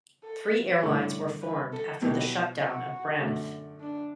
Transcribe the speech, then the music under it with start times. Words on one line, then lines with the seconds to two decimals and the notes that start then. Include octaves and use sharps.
Three airlines were formed after the shutdown of Braniff.
0.24 A4
0.83 G2 D3 A3 E4 C#5
1.42 B4
1.73 A4
2.01 B2 F#3 B3 E4 G4
2.61 F#4
3.21 F#2 D3 A3
3.81 D4